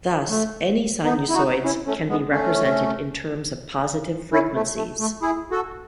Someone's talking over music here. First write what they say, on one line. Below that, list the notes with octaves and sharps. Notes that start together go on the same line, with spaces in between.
Thus any sinusoids can be represented in terms of positive frequencies.
A3
B3 D#4
E4
D#4 F#4
C#4 E4
A3 C#4
G#3 B3
A3 C#4
C#4 E4
A3
A3
A3
E4 G#4
F#4 A4